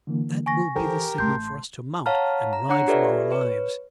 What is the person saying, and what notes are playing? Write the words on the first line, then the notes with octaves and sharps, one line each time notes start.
That will be the signal for us to mount and ride for our lives.
D3 E3 A#3
G#5 C#6 A#6
E3 F4 G4 A4 A#4 C5 G5
A1 A3 A5 C6 G6
C#5 F5 F#5 A5 A#5 F6
A#5
D4 C#5 F#5 A#5 F#6 C#7
F4 G4 A4 B4 D5 E5
B4 C#5